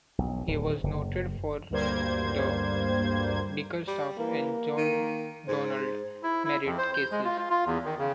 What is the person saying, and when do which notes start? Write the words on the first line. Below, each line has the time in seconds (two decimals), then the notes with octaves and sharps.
He was noted for the Bickerstaff and John Donald Merritt cases.
0.18 B1
0.48 D1
0.84 F#1
1.70 D2 G2 G3 A#3 C5 G#6
3.88 G3
4.19 E3 A#3
4.77 D#3
5.48 G#2 C5
6.23 E4
6.45 E4
6.65 F2
6.78 C5
6.94 G6
7.11 G#3
7.24 F4
7.39 F4
7.50 F4
7.66 E2
7.85 D#3
7.99 C#3